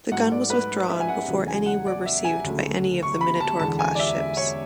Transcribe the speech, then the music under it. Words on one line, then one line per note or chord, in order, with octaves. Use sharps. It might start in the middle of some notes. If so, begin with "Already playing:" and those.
The gun was withdrawn before any were received by any of the "Minotaur"-class ships.
G#2 F#3 A3 F#5
D5
B4
E5
G#5
F#5
E2 C#3 F#3 A3
G#5
F#5
D5
E5
G#5
D2 C#3 F#3 A3
C#6
B5
A5
E2 D3 G#3 A5
G#5
D5
E5
C#5